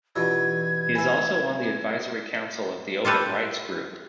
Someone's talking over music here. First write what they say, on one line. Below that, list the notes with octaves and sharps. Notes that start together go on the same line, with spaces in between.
He is also on the advisory council of the Open Rights Group.
B2 E3 D4 F4 G4 E6 G#6
B4 E5 G#5
F4 G4 A4 B4